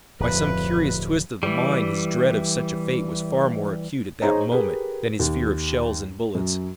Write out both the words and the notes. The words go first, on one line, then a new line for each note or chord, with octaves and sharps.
By some curious twist of the mind his dread of such a fate was far more acute at that moment than his fear of shells and bullets.
D1 F2 B4
E3 G3
D#4 G#4 C5 C#5 A#5
G4 G#4 A#4 B4
D#2
F#2